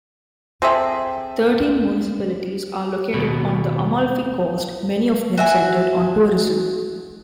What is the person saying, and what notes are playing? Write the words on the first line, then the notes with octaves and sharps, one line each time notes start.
Thirteen municipalities are located on the Amalfi Coast, many of them centered on tourism.
C4 G#4 A4 E5
D#2 B2
F#4 E5 G#5